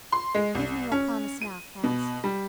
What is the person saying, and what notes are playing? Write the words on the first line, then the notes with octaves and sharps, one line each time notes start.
Give me your promise now, Cass.
C6
G#3
C2
C#4
D#7
B2
G3